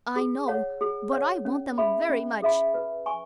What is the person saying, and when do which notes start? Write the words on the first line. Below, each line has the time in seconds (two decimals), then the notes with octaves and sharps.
"I know; but I want them very much."
0.16 G#4
0.48 C#5 F#5
0.81 G#4
1.12 C#5 F#5
1.45 C#4
1.78 G#4 E5 B5
2.09 C#4
2.42 G#4 E5 B5
2.74 B4
3.06 G#5 C#6